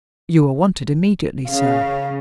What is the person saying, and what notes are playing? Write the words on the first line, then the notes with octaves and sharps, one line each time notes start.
"You are wanted immediately, sir."
C#3 F5